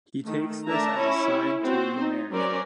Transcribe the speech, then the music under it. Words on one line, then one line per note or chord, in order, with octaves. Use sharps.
He takes this as a sign to remarry.
D#3 A3
A3 D4 A#4 E5 A5 A#5
C#4 E4 C#5
C4 F#4 C5
D#4
F#3 C#4 A#4 C5 D5